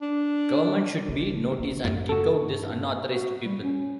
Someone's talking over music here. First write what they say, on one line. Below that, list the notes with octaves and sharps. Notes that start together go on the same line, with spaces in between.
Government should be notice and kick out this unauthorized people.
D4
C#3
A#3
F#2
C#3 F#4 A4
G2
F#4
G3
C#4